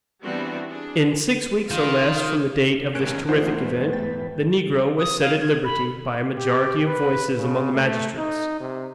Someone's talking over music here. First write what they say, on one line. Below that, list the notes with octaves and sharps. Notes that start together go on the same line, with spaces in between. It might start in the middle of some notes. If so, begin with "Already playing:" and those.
In six weeks or less from the date of this terrific event, the negro was set at liberty by a majority of voices among the magistrates.
E3 G3 B3 C4 D4 F#4
D4 G#4
D#3 F4
B1 G#2 C#4 A#4 F#6 D7
E2 G#2 A3 D4 D#4 F4 C5 F#5
B4
G5 A6
D#6
F5
G#6
B5
G4
B4
C#3
A3
D#4
C3